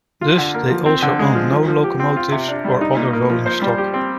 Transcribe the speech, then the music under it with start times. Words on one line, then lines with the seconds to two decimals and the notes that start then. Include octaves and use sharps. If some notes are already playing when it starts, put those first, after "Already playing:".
Thus they also owned no locomotives or other rolling stock.
0.21 F4
0.38 D3
0.54 A#3
0.70 F3
0.86 C4
1.02 D3
1.19 G#3
1.35 F3
1.51 F3
1.68 F3
1.84 G4
2.00 C4
2.17 F4
2.32 C3
2.48 D4
2.65 G3
2.81 D#4
2.97 A#2
3.13 A#3
3.30 F3
3.46 C5
3.62 G3
3.78 G4
3.94 C4